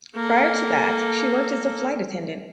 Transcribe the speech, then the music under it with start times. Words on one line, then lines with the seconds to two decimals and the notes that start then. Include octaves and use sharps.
Prior to that, she worked as a flight attendant.
0.15 A#3 A4